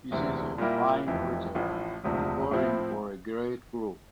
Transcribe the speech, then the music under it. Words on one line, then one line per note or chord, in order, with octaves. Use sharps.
This is a fine return to recording for a great group.
E1 D2 C3 E3
A#2 G3 A#3 E4 G4
F1 F2 E3
A1 A2 F3
E1 D2 C3 F3
A2 F3 C4 E4